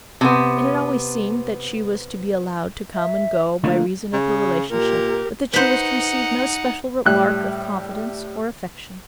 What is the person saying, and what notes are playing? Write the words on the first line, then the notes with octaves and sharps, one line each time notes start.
It had always seemed that she was to be allowed to come and go by reason of her relationship, but that she was to receive no special mark of confidence or affection.
C3 B3
E5
D3 A3 A#3 F4
C#3
A#2 G4 A#4
D#4 B4 C5 F#5
A2 G3 F#6